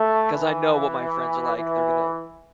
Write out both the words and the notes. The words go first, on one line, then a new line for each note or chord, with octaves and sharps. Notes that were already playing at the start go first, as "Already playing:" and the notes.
'cause I know what my friends are like. They're gonna
Already playing: A3
E3
E3